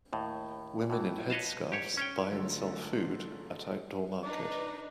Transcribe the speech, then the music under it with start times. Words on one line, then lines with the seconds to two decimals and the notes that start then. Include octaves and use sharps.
Women in headscarves buy and sell food at outdoor market.
0.13 D#2 A2
0.90 A2 E3
1.30 B4 C#5 D#5 F5 A5
1.72 G4 C#5
1.97 C#4 C#5 G5
2.31 D3 F#3 G#3 A3 F4 A4
4.23 D4 D#4 B4 D5